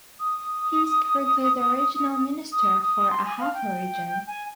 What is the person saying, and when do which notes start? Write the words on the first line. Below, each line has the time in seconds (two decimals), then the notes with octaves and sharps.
He is currently the Regional Minister for Ahafo region.
0.20 D#6
2.52 D#6
2.81 D#6
3.11 C6
3.25 G#5
3.40 F5
3.54 G5
4.27 G#5